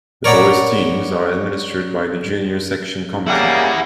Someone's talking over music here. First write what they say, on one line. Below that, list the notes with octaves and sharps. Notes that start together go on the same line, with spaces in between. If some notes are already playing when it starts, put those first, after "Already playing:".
The Boys teams are administered by the Junior section Committee.
A#4 C#5 D5 F#5 A#5 B5
C#3 G3 A#3 E4 F#5